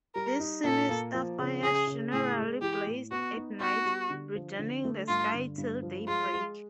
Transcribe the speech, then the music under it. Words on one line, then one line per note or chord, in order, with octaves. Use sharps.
These sinister fires generally blazed at night, reddening the sky till daybreak.
G3 A#4
D#4
A#2 A4
A#3
F3
C#3
C#3 G#4
C#3
A2 G#4
G#3
E3 G4
A2
B3 F#4
D#4
B3 F#4
G3
D3
F3
D3
A3
G2 F4
D3
G2
F3
G#3 F4
G#3